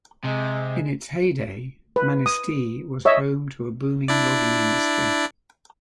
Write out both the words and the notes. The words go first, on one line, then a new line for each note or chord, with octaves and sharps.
In its heyday, Manistee was home to a booming logging industry.
C3 G#3
B4
D#6
C#5 D#5 E5
D4 E4 D5